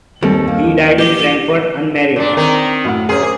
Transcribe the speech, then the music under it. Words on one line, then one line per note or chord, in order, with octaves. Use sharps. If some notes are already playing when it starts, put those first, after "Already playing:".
He died in Frankfurt, unmarried.
D#2 G3 C4 A4
A#3
G4
A#2 D4
D#3 C4 A#4
F#2 A2 F#5
F#2 G#4 A#4 C5
G#4